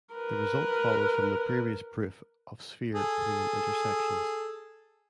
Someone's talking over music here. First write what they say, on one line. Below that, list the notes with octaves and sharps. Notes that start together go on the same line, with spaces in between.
The result follows from the previous proof for sphere-plane intersections.
A#4 B4
G#4 A4